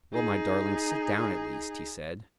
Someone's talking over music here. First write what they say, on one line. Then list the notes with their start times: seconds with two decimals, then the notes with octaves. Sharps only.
"Well, my darling, sit down, at least," he said.
0.12 D#4 G#4